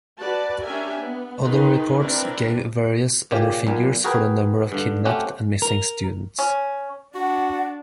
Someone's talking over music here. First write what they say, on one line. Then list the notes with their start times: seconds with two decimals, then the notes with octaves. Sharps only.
Other reports gave various other figures for the number of kidnapped and missing students.
0.18 F#4 B4 D5 A5
0.62 C#4 D4 G4 A#4 E5 G#5
0.98 B3
1.42 D#3 D#4 G#4 B4 C6
1.97 C4 D4 E4 A#4 B4
3.31 A#2 C#3 G4
3.67 B1 A#2
4.04 F#4 G#4 A#4 B4 G5
4.72 G2 D3
5.05 A3 C4 C#4 F#4 G4
5.62 A#4
6.39 C#4
7.15 D4 F#4 F#5